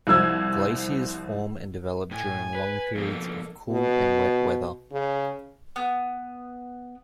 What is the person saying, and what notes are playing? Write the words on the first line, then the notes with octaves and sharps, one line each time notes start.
Glaciers form and develop during long periods of cool and wet weather.
C2 F3 E6 G#6
A2 G#5
B4
F2 B2 F3 A#3 A4
B2
C#3
B3